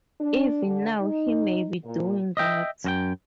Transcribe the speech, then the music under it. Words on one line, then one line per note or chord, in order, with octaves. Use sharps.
Even now he may be doing that.
D4
D3
D#4
A#2
D#5 E5 G5
F#2 F#4 G5